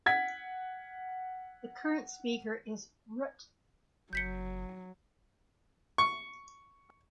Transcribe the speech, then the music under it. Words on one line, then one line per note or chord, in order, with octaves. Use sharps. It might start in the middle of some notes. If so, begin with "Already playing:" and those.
The current Speaker is Rt.
F#5 G#6 B6
F#1 F#3 G6 B6 C#7
C#6